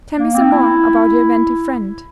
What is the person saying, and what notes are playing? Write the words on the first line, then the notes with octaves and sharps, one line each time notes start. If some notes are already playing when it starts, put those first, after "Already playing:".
Tell me some more about your inventive friend.
A#3
C4
E4